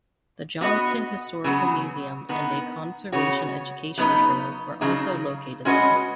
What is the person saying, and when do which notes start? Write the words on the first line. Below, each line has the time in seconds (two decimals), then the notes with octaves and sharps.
The Johnston Historical Museum and a conservation education trail were also located there.
0.61 B3 F#4 B4 D#5
1.44 C#3 F#3 B3
2.29 D#3 B3 D#4
3.12 C#3 B3 F#4 C#5
3.98 C#3 F#3 B3 D#4 B4
4.81 C#3 F#3 D#4
5.65 G#3 C#4 F#4 B4 D#5